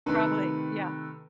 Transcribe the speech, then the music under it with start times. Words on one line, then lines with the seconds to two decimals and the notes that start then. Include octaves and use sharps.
Probably, yeah.
0.06 C3 D#3 A3 A4 B4